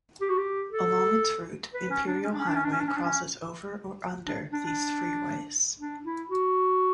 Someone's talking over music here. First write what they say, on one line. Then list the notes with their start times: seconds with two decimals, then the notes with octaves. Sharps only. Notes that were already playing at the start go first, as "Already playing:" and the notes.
Along its route, Imperial Highway crosses over or under these freeways.
0.21 G4
0.29 F#4
0.38 G4
0.72 A4
1.74 B4
1.90 C#4
2.07 D4
2.24 C#4
2.32 D4
2.40 C#4
2.48 D4
2.56 C#4
2.65 D4
2.72 C#4
2.80 D4
2.89 C#4
2.97 D4
3.05 C#4
4.27 D4
4.52 D4
4.66 D4
5.79 D4
6.05 E4
6.30 F#4